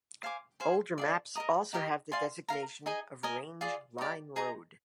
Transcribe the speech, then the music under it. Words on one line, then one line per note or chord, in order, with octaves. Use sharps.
Older maps also have the designation of "Range Line Road".
C5 F5 G#5 D6
G#4 C5 F5 G#5
F4 G#4 D5
A#4 D#5 A#5 D#6
D#4 G4 A#4 D#5
D5 F5 G#5 C6
A#4 F5 A#5
D#4 G#4 D#5 G#5
A#4 D#5 G#5
F4 G#4 D5
D#4 G4 D5
D#4 G#4 D#5 A#5